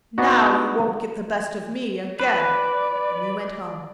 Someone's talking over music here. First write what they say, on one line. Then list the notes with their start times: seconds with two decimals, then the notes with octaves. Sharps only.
'Now you won't get the best of me again!' And he went home.
0.18 B3 D4 D#4 F#4
2.20 B4 D5